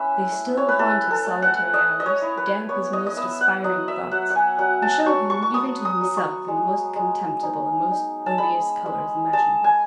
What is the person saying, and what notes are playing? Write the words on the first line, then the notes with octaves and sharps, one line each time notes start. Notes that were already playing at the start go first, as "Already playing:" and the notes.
They still haunt his solitary hours, damp his most aspiring thoughts, and show him, even to himself, in the most contemptible and most odious colours imaginable.
Already playing: A3 C#4 E4 B4 E5
A3
C#5
B4
E4 A4
A4
A3
F#5
A3 D#5
D#5
C#5
E4
B4
B3 C#5
D#5
D#5
B3 E5
F#5
F#3 D#5
E5
F#3 F#5
F#5
G#5
F#3 F#5
A5
F#3 C#6
C#6
C#6
B3 D#6
D#6
F#3
C#6
G#3
G#3
D#4
D#4
A5
G#3 B5
G#3
G#3 A5
G#5